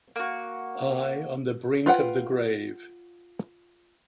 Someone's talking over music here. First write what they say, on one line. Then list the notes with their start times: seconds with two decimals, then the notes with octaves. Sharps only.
I on the brink of the grave!
0.16 A#3 F#4
1.86 F4 B4 F#5 G5